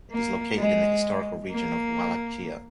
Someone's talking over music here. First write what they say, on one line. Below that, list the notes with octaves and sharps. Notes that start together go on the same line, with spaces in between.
It is located in the historical region of Wallachia.
A#3
G#3
A#3